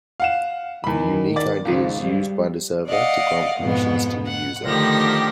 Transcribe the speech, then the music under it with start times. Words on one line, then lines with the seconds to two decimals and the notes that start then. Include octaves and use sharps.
The unique id is used by the server to grant permissions to the user.
0.20 F5 F#5 E7
0.84 E2 D#3 B5
1.36 D5 A6
1.65 G#1 C#2 G#2
2.02 G3
2.87 D5 D#5 F5 F#5
3.59 F2 G#2 B2 B3
4.26 F#5
4.63 D2 D3 D#3 F3 G4 A#6